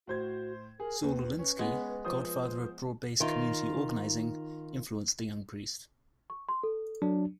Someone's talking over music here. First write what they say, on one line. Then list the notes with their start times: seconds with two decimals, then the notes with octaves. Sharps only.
Saul Alinsky, godfather of broad-based community organizing, influenced the young priest.
0.07 A2 F#4 C5 G#6
0.80 G#4 A#4
1.03 D#2 B4
1.39 C#4 B4
1.59 G#3 B3
2.05 F3 C5 D#6
3.20 D#3 F4
6.30 C#6
6.49 C6
6.63 A4
7.02 F#3 D4